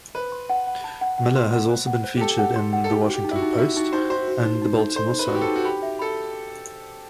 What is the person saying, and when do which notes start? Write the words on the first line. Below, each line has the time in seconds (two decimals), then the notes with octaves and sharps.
Miller has also been featured in "The Washington Post" and "The Baltimore Sun".
0.15 B4 C5
0.32 C6
0.50 F#5
0.67 F#5
0.84 A5
1.01 F#5
1.18 F#5
1.36 C6
1.53 F#5
1.70 C5
1.87 F#5
2.04 C5
2.17 G4
2.21 A4 A5
2.38 F#5
2.56 C6
2.73 F#5
2.84 A4
2.90 D#4 G4
3.07 F#4
3.14 G4
3.24 D#4
3.31 E4
3.36 F#4
3.42 D#4
3.58 D#4 E4
3.76 D#4 F#4
3.93 D#4 C5
4.10 F#4 C5
4.28 F#4
4.45 D#4
4.62 D#4
4.78 D#4
4.96 A4 C5
5.13 D#4
5.19 B4
5.27 F#4
5.31 D#4 G4
5.41 A4
5.48 D#4
5.56 F#4
5.64 G4 B5
5.83 E5
5.99 A4 B5